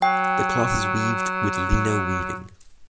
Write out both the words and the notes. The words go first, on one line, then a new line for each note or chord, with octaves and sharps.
The cloth is weaved with leno weaving.
F#3 G5